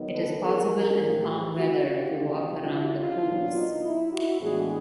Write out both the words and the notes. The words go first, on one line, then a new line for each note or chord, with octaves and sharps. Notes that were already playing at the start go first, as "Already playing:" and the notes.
It is possible in calm weather to walk around the pools.
Already playing: D#3 F#3 B3 D#4
A4 B4
G#4 A#4
A2 F3 A3 F4 G4
F4 G4
E4 F#4
F4 G4
C3 D#3 G#3
E4 F#4
D#4 F4
A#2 F#3 B3 D4
D#4
E4
E4 F#4
A2 E3 G#3 B3 D4 F#4 G#4